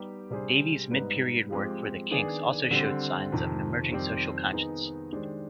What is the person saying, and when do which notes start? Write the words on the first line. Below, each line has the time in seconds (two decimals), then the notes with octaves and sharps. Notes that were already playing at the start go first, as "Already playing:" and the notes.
Davies' mid-period work for the Kinks also showed signs of an emerging social conscience.
Already playing: G3 B3 D#4 G4
0.30 C3 G3 D4 G#4 C5
0.91 G#2 G3 B3 D#4 B4
1.50 F3 G#3 C4 G4
2.11 D#3 B3 D4 G#4
2.71 D3 G3 C4
3.32 F2 C3 D#3
3.92 F2 D#3 G3 C4 G4
4.52 D#3 B3 D#4 G#4
5.13 D#3 G#3 D4 G4 C5